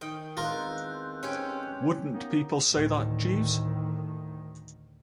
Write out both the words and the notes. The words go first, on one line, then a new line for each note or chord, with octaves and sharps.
Wouldn't people say that, Jeeves?
D#3 D#5 G5
E2 G#3 C4 F4 A#4 C6 F#6 G6
C#4 G4 C#5
A#3 B3 D#4
D2 A2 D#3